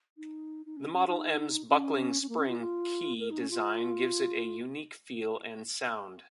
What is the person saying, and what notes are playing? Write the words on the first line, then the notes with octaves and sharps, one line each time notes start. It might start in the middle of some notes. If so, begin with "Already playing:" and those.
The Model M's buckling spring key design gives it a unique feel and sound.
D#4
D#4
C#4
C#4
D#4
C#4
C#4
A#3
C#4
F4
F4
A#4
D#4
C#4
F4